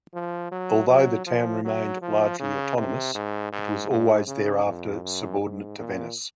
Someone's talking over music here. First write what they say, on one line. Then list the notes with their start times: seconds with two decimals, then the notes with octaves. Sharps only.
Although the town remained largely autonomous, it was always thereafter subordinate to Venice.
0.14 F3
0.51 F#3
0.89 F#3
1.27 F3
1.64 F#3
2.02 F3
2.39 C#3
2.77 C3
3.15 G#2
3.52 G#2
3.90 G#2
4.27 C#3
4.65 F2
5.03 F#2
5.41 G#2
5.78 A#2